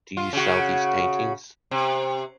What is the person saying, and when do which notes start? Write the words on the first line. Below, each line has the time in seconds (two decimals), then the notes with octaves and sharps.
Do you sell these paintings?
0.17 F4
0.33 C#3 F#4
1.71 C3